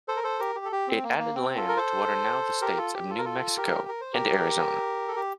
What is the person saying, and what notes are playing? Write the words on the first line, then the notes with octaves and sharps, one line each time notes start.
It added land to what are now the states of New Mexico and Arizona.
A4 C5
A#4
A4 C5
G4 A#4
G4
A4
G4
C4
A#3
A#3
C4
F4 A4
A#4
A4 C5
G4 A#4
F4 A4
G4
F4 A4
A#4
F4 A4
G4 A#4
A#4
C5
G4 A#4
A4
G4